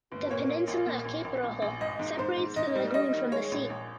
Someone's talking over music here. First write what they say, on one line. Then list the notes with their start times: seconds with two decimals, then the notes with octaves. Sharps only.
The peninsula of Cape Rojo separates the lagoon from the sea.
0.12 G1
0.30 A#2 C#5
0.49 A#2
0.67 A#1
0.86 A#2
1.05 A#1
1.24 A#1
1.43 A#1
1.62 A#1
1.81 G#1 D#5
2.00 G#2
2.19 G#2 C5
2.37 G#2
2.56 G#2 D#5
2.75 G3
2.94 G3 D#5
3.14 D#3
3.32 G#3 C#5
3.52 A#1
3.70 A#1